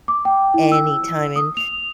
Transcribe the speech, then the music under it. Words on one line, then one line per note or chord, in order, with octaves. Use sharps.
anytime in
D6
G5
E4
E6
D#6
F7